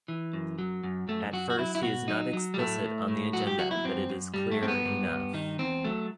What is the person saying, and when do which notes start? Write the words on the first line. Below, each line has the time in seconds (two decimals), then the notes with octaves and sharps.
At first, he is not explicit on the agenda but it is clear enough.
0.08 E3
0.33 F#2
0.58 F#3
0.84 F#2
1.08 F#2 A3
1.33 F#3 F#4
1.50 F#4
1.58 F#3 E4
1.75 E4
1.83 B2 F#4
2.08 F#3 D#4
2.33 F#3
2.54 G3
2.58 A2 A3
2.84 A2
3.08 A2
3.33 F#3 F#4
3.47 G4
3.58 F#3 F#4
3.71 E4
3.85 F#2 C4
4.10 F#2
4.34 G2 G3
4.52 A3
4.59 G2 C4
4.68 B3
4.85 G2
5.10 G2
5.34 D#3 D#4
5.59 E2 C4
5.84 F#3 A3